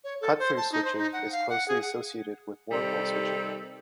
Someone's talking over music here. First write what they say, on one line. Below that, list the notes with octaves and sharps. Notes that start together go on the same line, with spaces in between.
Cut-through switching is closely associated with wormhole switching.
C#5
A4
C5
A5
D#4
C5
D#4
F#5
F5
F#5
G#4
F#5
C3 D#3 G3 D#4 A4